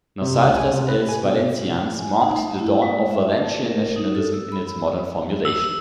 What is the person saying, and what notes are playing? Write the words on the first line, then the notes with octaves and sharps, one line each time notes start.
"Nosaltres, els valencians" marked the dawn of Valencian nationalism in its modern formulation.
C3
C#2
G#5
C3
B4
G#5
B2
G#5
D#4
A3
E4
G#3
E5
A3
A#4
D#4
A4
E6
B5
E6